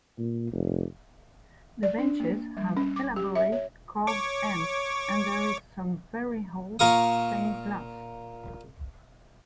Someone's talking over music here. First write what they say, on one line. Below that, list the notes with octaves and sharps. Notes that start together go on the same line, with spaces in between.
The benches have elaborate carved ends, and there is some very old stained glass.
A#2
F1
D5
D4
A#3
G3
C#4
D6
G4
E5
C#5
C#5 C#6 D6
A#2 A#4 F5 C#6 D#6